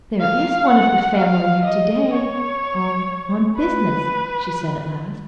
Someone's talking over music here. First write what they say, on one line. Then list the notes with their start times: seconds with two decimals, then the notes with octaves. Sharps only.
"There is one of the family here to-day on--on business," she said, at last.
0.20 F5
0.69 F#5
1.16 F5
1.64 D#5
2.13 C#5
3.57 B4